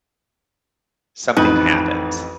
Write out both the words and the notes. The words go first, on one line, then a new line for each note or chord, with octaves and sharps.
something happens,
A1 F2 D#4 B4